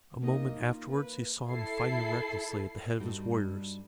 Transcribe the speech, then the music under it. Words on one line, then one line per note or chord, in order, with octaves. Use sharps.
A moment afterward he saw him fighting recklessly at the head of his warriors.
A#3 D#4 D#5
D#4 F4
B4
E4 A4 C7
G2 G3 A3 D#4 F#4